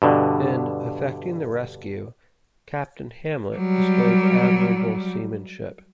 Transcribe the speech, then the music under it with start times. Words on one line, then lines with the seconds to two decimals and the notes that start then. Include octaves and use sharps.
In effecting the rescue, Captain Hamlet displayed admirable seamanship.
0.02 G2 B2 D3
3.56 F#3 G3